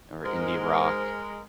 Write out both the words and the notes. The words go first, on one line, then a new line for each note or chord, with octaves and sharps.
or indie rock,
G#2 G#3 A#4